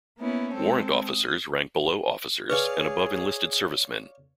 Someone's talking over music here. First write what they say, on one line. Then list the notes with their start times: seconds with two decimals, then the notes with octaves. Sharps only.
Warrant officers rank below officers and above enlisted servicemen.
0.18 A#3 B3 C#4 E4
0.53 G#3 C4 A4
1.05 D#6
2.50 G#4 B4 C#5 D5 F5